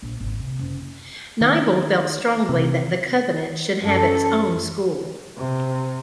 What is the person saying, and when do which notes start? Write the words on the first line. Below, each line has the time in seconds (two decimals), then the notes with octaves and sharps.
Nyvall felt strongly that the Covenant should have its own school.
0.02 A#1
0.20 G#1
0.39 C3
0.59 F#1
1.41 D#3
2.49 C3
3.83 F#2 A4
5.37 C3